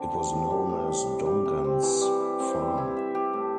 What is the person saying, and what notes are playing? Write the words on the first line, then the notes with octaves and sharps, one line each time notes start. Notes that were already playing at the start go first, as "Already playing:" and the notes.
It was known as Dongan's Farm.
Already playing: D3 C4
G4
A2
G3
A2
E4
C3
G3
C3
C4
E3
G3
E4
C4
G3
E4
E5
G4
A2